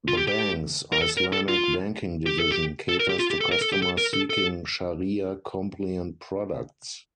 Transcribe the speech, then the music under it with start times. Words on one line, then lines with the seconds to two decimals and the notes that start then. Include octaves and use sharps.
The Bank's Islamic Banking Division caters to customers seeking Shariah compliant products.
0.08 F4
0.17 G4
0.28 G4
0.92 A#4
1.02 A4
1.17 A#4
1.33 A4
1.48 F4
2.26 G4
2.40 A4
2.52 G4
2.89 A4
3.00 A#4
3.09 G4
3.19 F4
3.31 G4
3.41 A4
3.52 A#4
3.62 A4
3.72 G4
3.82 A4
3.98 A#4
4.13 A4
4.30 A4